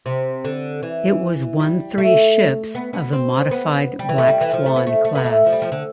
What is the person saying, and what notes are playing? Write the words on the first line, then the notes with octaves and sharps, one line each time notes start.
It was one three ships of the modified "Black Swan" class.
C3
D3
E3
G3
A3
B3
B3
C4
B3
G3
E3
A3
G3
E3
F3
A3
B3
A3
A3
B3
A3
F3
G3
F3
D3